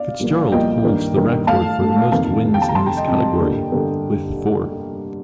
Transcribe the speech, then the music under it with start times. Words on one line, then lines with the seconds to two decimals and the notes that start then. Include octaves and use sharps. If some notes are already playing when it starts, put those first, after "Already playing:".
Fitzgerald holds the record for the most wins in this category, with four.
Already playing: D5 F5
0.20 C2 A#2 F3 A#3
0.52 C2 A#2 F3 A#3 D#5 G5
0.84 G2 D#3 A#3
1.16 G2 D#3 A#3
1.47 A2 A3 F5 A5
1.80 A2 A3
2.12 F2 C3 D#3 G3 A#3 F5 A5
2.43 F2 C3 D#3 G3 A#3
2.54 G5
2.62 A5
2.69 A#5
2.75 F2 C3 G3 A5 C6
2.86 G5 A#5
2.97 D#5 G5
3.07 F2 C3 G3 D#5 G5
3.39 G2 D3 G3 A#3
3.72 G2 D3 G3 A#3